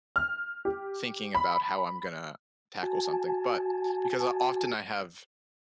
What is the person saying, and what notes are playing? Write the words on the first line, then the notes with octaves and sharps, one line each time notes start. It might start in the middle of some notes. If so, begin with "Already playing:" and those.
thinking about how I'm gonna tackle something. But because often I have
F6
G4
B5
F#4 G#5 A5